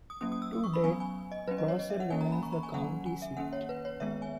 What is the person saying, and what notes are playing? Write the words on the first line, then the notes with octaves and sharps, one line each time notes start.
To date, Prosser remains the county seat.
D#6
F#3 A#3 C#4 D#6
D#6
E6
D#6
C#6
B5
F#3 B3 G#5
G#5
D#5
F#3 C#4 B4
D#5
C#5
D#5
E5
F#5
E3 A#3 C#4 G#5
A#5
B5
C#6
A#5
G#5
D#3 F#3 A#3 C#4 F#5
G#5
E5
D#3 A#3 C#4 F#5
C#5
B4
C#5
D#3 G#3 B3 E5
G#5